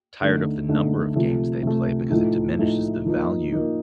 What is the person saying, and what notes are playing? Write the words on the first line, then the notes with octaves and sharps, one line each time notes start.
tired of the number of games they play, because it diminishes the value
D3 A3 D#4
D3 A3 D#4
C3 F3 A3
C3 F3 A3
A2 F3 A3 D#4
A2 F3 A3 D#4
F3 A#3 D#4
F3 A#3 D#4